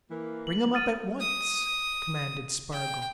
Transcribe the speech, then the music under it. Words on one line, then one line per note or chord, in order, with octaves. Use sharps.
"Bring him up at once!" commanded Spargo.
E3 A#3
F#7
F6 A6 D#7
D#6
G5